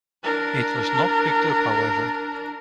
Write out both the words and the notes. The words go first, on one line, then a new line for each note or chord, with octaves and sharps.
It was not picked up, however.
D4 A#4